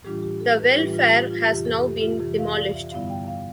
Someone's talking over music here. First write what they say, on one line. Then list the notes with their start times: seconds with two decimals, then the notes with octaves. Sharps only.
The welfare has now been demolished.
0.04 A2 E3 G3 D4 F4 G4
0.23 G4
0.40 A4
0.59 B4
0.76 A2 E3 G3 D4 F4 G4
0.93 F4
1.12 G4
1.31 F4
1.47 F2 C3 E3 G4
1.65 A4
1.83 G4
2.01 F4
2.19 F2 C3 E3 G4
2.38 F5
2.56 D5
2.74 E5
2.92 G2 D3 G3 B3 E4 F5
3.10 G5
3.28 F5